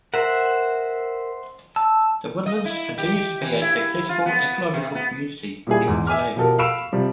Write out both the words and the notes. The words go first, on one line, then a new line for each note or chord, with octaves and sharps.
The Woodlands continues to be a successful ecological community even today.
A#4 C5 E5 F#5
A5 E6
D#5
E4
G4
E3
E4
F4
B3
C3
B3
A#2 G3 E4 G#4
E2 G#2
E5 G#5 D6 F6
B2 F3 G4 A4 A#4
F5 B5 C#6 E6 D7 E7
C3 F3 G3